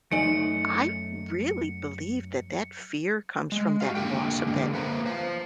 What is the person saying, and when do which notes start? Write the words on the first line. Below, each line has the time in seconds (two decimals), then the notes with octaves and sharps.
I really believe that, that fear comes from that loss of that
0.12 F#2 A3 D#4 D#5 G#5 C#7
3.52 G#3
3.81 F#4 G4 F5
3.95 D3 A#3 G4 A4 G5
4.47 D3 G#3 A#3
4.73 A#3 B4 C5 A#5
5.06 C5 F5